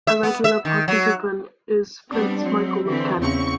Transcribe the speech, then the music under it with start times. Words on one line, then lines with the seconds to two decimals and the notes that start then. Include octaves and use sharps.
A regular participant is Prince Michael of Kent.
0.07 E5
0.23 B3
0.44 E5
0.65 D#3
0.88 F#3
2.11 G3 B3 C4 D4
2.41 F#3 G#3 C4
2.86 D3 E3 C4
3.18 E2 C#3 C4 C#6